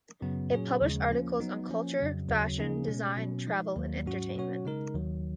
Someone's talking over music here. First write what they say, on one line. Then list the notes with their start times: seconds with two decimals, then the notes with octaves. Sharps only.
It published articles on culture, fashion, design, travel and entertainment.
0.22 F#2 C#3 F#3 B3
0.52 A#2 F#3 C#4 G#4 C#5
0.81 D#2 C#3 F3 G#3
1.10 F3 A#3 C#4
1.40 F#3 B3 D#4
1.70 F3 A#3 C#4
1.99 F2 C#3 F#3
2.28 D#2 C#3 F#3
2.58 C#3 F3 A#3 D#4 G#4
2.88 B2 G#3 C#4
3.17 B2 F#3 C#4
3.47 F3 G#3 D#4
3.76 D#2 D#3 F#3 A#3
4.06 G#2 F#3 C#4 F#4
4.36 B2 F#3 C#4 F#4 C#5
4.65 C#3 G#3 D#4 A#4
4.95 D#2 D#3 F#3